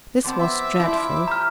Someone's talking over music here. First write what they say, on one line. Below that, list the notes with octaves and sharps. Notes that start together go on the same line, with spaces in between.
This was dreadful.
F3 B3 C4 D6
E5
F3 E4
G4 A#5 F6